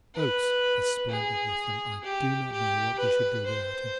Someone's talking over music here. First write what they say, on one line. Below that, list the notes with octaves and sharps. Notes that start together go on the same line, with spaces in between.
Oates is splendid with them--I do not know what we should do without him.
B4
G#4
G4
G4
B4
C5